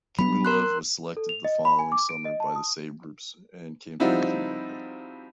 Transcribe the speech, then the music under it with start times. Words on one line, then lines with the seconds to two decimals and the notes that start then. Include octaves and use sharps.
Khmylev was selected the following summer by the Sabres and came to North America.
0.19 F#3 B3 B5
0.45 A#4 C6 F#6
1.17 A4
1.29 F7
1.45 D#5
1.65 B5
1.79 G#5
1.92 D6
2.09 D7
2.25 D#5
2.40 A5
2.56 D#6
4.00 F3 G3 C4 D#4 E4 F#4